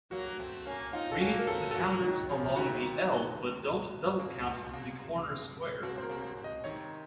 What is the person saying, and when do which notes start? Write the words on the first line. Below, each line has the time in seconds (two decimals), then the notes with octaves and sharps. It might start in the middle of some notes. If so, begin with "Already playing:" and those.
Read the counters along the L but don't double count the corner square.
0.11 F#3 A#3 F#4
0.39 A3 C4
0.65 A#3 C#4
0.93 C4 D#4 F4
1.12 C4 A4
1.20 A#3 C#4 F#4
1.38 A#4
1.47 A3 C4 A4
1.71 A4
1.75 F#3 A#3 F#4
2.01 D#3 F#3
2.29 C#3 F3
2.56 C3 D#3 F#4
4.20 C3
4.47 A#2
4.73 C3
5.83 C3 F#4
5.98 C5
6.03 A#4
6.10 C3
6.37 C3
6.44 D#5
6.64 C3 D#3 C#5